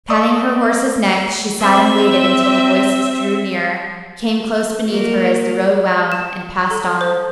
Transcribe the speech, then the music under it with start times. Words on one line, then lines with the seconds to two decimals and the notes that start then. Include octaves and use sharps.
Patting her horse's neck, she sat and waited until the voices drew nearer, came close beneath her as the road wound, and passed on.
0.10 D5 D#5 C#6 D#6 E6
1.59 C4 E5
4.88 F#3 A#3 A#4
6.12 E7
6.71 A4
7.01 C5